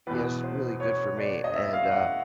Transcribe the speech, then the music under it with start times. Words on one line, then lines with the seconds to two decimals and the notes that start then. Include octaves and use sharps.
Yes. It's really good for me, and, uh,
0.07 E2 B2 B4
0.43 C5
0.80 C#5
1.17 D5
1.44 D#5
1.55 E5
1.73 F5
1.91 F#5